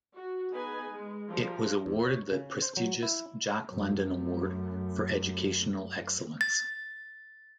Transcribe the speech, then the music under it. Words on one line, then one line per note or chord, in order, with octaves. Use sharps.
It was awarded the prestigious Jack London Award for Educational Excellence.
F#4
B3 D#4 G#4 B4 G#5
G#3
F3 G3 A#4
E2
C#5
C#3
C5
F#3
E4
F#2 A3
A6